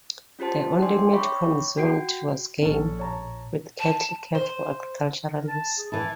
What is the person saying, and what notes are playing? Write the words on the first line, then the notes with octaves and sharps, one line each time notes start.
The only meat consumed was game, with cattle kept for agricultural use.
C#4 F4 G4 C5 A5
C#4 D4 D5 G5 G#5 C6
C#5 E5 G5 B5 C#6 D6
F#4 G5 C7 D7
A#1 C#4 A4
C#5 A5 A#5
A5
C5
A#4
A5
G#4
E3 E4 A5